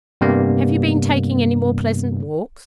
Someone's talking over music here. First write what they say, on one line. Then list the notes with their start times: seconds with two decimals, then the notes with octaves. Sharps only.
'Have you been taking any more pleasant walks?'
0.21 G2 C3 G3 A#3 B3